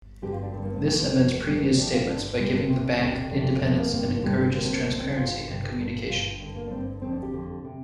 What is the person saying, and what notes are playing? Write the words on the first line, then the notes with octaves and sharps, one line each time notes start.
This amends previous statements by giving the bank independence and encourages transparency and communication.
G2 D3 G4
F4
D4
G2 D3 D4
A#3
C4
F2 D3 A#3
C4
F2 D3
A#3
F2 C3 G3
A#3
C4
F2 C3 D4
F4
G2 D3 D4
G2 D3 G3
A#3
D2 C3 C4
D4
F4
D2 C3 D4
F2 C3 D4
F2 C3 C4
A#3
G2 D3 A#3
A#3
G2 D3 G3
D2 D3 A#3
C4
A#3
D2 D3
C4
D4
G2 D3 F4
G2 D3
G2 D3 A#4
G2 D3 F4
G2 D3
A#3
D4
G2 D3 C4
F2 D3 C4
D4
G4
F2 D3
C3